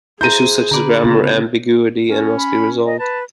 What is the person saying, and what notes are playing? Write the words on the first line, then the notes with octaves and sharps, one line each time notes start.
Issues such as grammar ambiguity must be resolved.
E4 G#4 C5 A#5 G6 D#7
D3 B4 D5 A#5
C#3 B3 F4
C#4
B5
D#5
B4 A5